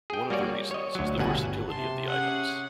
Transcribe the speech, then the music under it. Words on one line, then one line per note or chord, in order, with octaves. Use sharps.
One of the reasons is the versatility of the items.
G#4 G5
G3 A#3 F#4 C#5 D5
C#5 D#5
D2 F#3
G1 G2 B2 F#5 G#5
C3 A5 C6
C#4 G#4 F#5